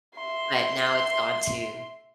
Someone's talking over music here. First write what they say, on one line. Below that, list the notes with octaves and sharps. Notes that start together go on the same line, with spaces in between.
but now it's gone to
E5 C6